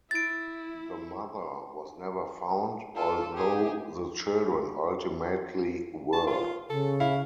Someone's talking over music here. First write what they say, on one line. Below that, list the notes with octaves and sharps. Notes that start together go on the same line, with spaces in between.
The mother was never found, although the children ultimately were.
E4 A6 D7
F4 A4
G4 G#4
A5
F4
C#3 A4
E4 F5